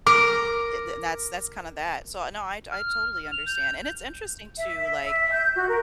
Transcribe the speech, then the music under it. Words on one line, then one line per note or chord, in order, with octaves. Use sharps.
Eh, th that's that's kinda that. So, no, I t I totally understand. And it's interesting too, like,
A#4 D6
F6
F7
G6
E5
E5
E5
G6
F#4
A#4